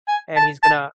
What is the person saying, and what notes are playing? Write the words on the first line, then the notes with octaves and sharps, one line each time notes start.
and he's gonna
G#5
A5
A5